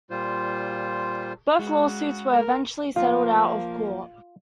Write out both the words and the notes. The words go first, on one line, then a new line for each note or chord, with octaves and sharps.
Both lawsuits were eventually settled out-of-court.
A#2 G3 F4 C5
C#3 G#3 F#4
A#4
F3 A#3 F4